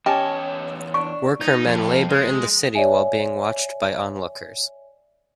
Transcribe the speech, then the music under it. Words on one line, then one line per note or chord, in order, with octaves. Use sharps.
Worker men labor in the city while being watched by onlookers.
E2 C#4 G4 C#5 D#5 A5
D4 C#6
D#4
F2
G#3
C#5 D5 E5 G#5